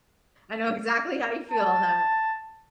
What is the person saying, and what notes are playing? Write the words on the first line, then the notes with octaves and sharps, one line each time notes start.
I know exactly how you feel on that.
A5